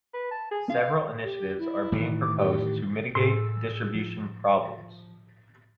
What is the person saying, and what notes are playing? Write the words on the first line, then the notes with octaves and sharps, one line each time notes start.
Several initiatives are being proposed to mitigate distribution problems.
B4
A5
G#4
F5
G4
E4
A2 D#3 E3
D6
G4
A2 G#4 E6
F3